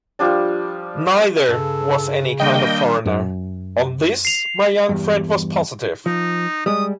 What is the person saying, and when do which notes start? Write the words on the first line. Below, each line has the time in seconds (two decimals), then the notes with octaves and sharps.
Neither was any kind of foreigner; on this my young friend was positive.
0.19 F3 G3 D4
1.49 G2 C#3 A4
2.40 D#3 G3 A#3 D4 D#5 G5
3.06 F#2
4.25 C7 F7
4.89 E2 G2
6.06 F3 D#4
6.66 G3 G#3 D#6